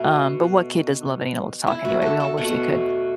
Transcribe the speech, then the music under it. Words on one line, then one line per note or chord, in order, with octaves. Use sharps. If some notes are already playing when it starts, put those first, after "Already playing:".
um, but what kid doesn't love an animal to talk, anyway? We all wish they could,
Already playing: B2 A3
E4
F#4
A4
A4
B2 A3 F#5